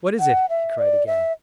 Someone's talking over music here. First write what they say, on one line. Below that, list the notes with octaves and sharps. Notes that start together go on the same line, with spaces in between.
"What is it?" he cried again.
F#5
E5
D5
E5